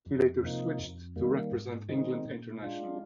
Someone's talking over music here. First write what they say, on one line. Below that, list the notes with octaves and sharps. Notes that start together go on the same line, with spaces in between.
He later switched to represent England internationally.
F2
C3 F3 A#3 D#4
F2
D#3 G3 A#3
G#2
D#3 G#3 C4 D#4
A#2
G#3 D4 F4